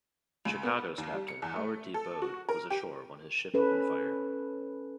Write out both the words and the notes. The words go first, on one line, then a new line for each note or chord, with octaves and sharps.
"Chicago's" captain, Howard D. Bode, was ashore when his ship opened fire.
C#2
B3
D#2
G3
C#7
E2
A3
A4
F#4
A#4
G4
C#4 A4 B4